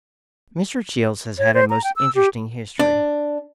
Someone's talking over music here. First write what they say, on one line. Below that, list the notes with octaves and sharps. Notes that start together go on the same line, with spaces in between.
Mr. Childs has had a most interesting history.
C#5
C5
A#5
G5
E6
G4
D4